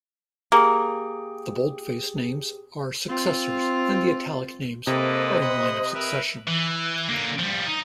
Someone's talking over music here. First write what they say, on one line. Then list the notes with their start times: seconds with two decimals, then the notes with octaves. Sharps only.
The boldface names are successors, and the italic names are in line of succession.
0.52 A#3 G4 G#4 G5
3.09 C4 F4
4.87 C3 A#3 A4 B4 C5 D#5
5.41 F#5 B5 C6
5.94 A#4 B4 E5
6.47 E3
7.09 D3 A#3
7.39 F3 G3
7.66 D#4